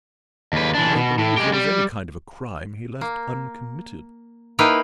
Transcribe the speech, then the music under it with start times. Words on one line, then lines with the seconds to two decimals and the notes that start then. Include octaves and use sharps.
I don't believe there was any kind of a crime he left uncommitted.
0.53 D#2 B4
0.75 E3 D4
0.96 B2
1.19 A2
1.37 G#3 G4
1.53 G3
3.01 A#3
4.59 A#3 D#4 E4 B4 F5 G5